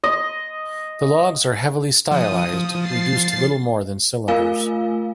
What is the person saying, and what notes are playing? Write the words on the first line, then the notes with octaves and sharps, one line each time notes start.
The logs are heavily stylized, reduced to little more than cylinders.
D#5
F3 D#6
A6 C7
A3 F4 A#4 F5 G#5